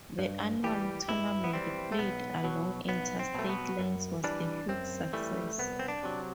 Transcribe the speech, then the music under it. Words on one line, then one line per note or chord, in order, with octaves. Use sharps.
The annual tournament played along inter-state lines was a huge success.
G2
E3 G3 G4
G2 E4
B3
E3 G3 C4
A3
B1 B3
B2 F#3
B1 B3
C4
B2 F#3 A3
B3
F#2
E3 G3 D4
F#2 C4
E3 G3 A3
C2 B3
C4
D4
C3 F#3